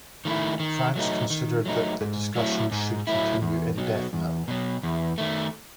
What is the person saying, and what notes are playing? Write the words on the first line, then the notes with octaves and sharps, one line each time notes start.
France considered that the discussions should continue indefinitely.
D#3 A3 E4
D#3
F#3 A3 D#4
D#3
F#3 A3 D#4
G#2
F#3 A3 E4
G#2
F#3 A3 E4
E2
B2 F#3
E2
B2 F#3
E2
D#3 A3